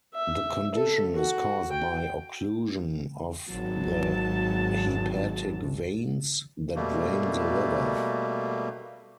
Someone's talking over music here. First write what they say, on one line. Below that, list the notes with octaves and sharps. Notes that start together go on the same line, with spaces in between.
The condition is caused by occlusion of the hepatic veins that drain the liver.
E5
A4
F#4
G5
G#1 F#3 A5
B2 G3 A3 A#3